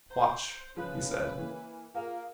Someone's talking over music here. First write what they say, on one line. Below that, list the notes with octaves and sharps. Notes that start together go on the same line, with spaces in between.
"Watch," he said.
C5 A#5
C#3 F3 B4 F#6
E3 A#3
A#3 F4 G#4 A#4 F5